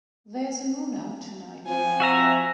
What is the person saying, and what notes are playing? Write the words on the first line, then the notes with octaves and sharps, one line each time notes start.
There's a moon out tonight.
F3 C4 G#5
F#4 E5 A#5